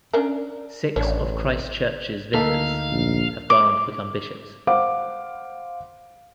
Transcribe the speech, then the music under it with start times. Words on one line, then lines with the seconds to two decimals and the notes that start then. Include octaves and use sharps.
Six of Christ Church’s vicars have gone on to become bishops.
0.13 C#4 D4 A#4
0.96 A1 D4 C#5
2.34 D2 A#3 D#4 A4 F5 B6
2.92 A#1
3.50 D6
4.67 C5 F5 F#5 D6